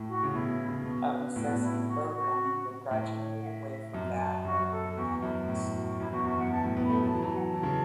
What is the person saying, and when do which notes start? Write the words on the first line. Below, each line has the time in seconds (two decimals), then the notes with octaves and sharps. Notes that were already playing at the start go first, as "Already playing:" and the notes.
Of necessity, programming would gradually move away from that at even-handedness.
Already playing: A2
0.08 F#4
0.23 C#3
0.33 B2 E4
0.68 C#3
0.84 B2 F#4
1.11 B4
1.36 A2 B4
1.44 B2
1.52 A2
1.63 E4
1.88 F#4
2.13 F#4
2.91 A2
3.17 C#5
3.42 F#5
3.46 E5
3.94 F#2
4.19 A5
4.45 F#2 F#4
4.71 A4
4.97 E2 F#4
5.22 F#2 E4
5.48 A2 F#4
5.74 F#4
5.99 F#2 E4
6.12 E2 F#4
6.25 F#2 F#4
6.39 E2 F#5
6.51 F#2 A5
6.64 A2
6.77 B3
6.85 A3 B5
7.02 F#3 A5
7.13 E3
7.19 B5
7.23 F#3 A5
7.36 F#5
7.41 A5
7.54 E3
7.63 C#3